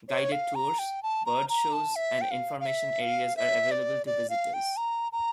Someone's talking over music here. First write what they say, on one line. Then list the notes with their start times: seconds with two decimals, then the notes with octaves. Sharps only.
Guided tours, bird shows and information areas are available to visitors.
0.09 C#5
0.32 F5
0.55 A#5
0.79 G5
1.03 A5
1.26 A#5
1.49 A#5
1.73 A5
1.96 E5
2.21 G5
2.31 F5
2.61 F5
2.66 E5
3.02 F5
3.37 E5
3.71 D5
4.06 D5
4.30 F5
4.54 G5
4.77 A#5
5.12 A#5